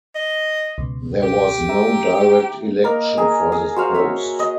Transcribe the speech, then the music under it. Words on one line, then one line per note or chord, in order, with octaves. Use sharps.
There was no direct election for this post.
D#5
C#2 B2
G4
E5 A#5
A#3 A#4 D#5
G#4 A#5
G#4
F#4 C5 F5
C#5 E5
D#5